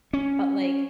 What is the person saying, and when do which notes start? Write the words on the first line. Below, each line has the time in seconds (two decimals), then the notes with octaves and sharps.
But like
0.13 C#4